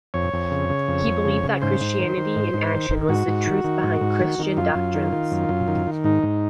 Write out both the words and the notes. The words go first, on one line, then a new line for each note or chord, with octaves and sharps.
He believed that Christianity in action was the truth behind Christian doctrines.
F2 C#5
F2
C#3
C#3
F2
F2
C#3
C#3
G#2 C5
G#2
D#3
D#3
G#2
G#2
D#3
D#3
G#2 F#4
G#2
D#3
D#3
G#2
G#2
D#3
D#3
F#2 F4
F#2
D#3
D#3
F#2
F#2
D#3
D#3
G#2 D#4
G#2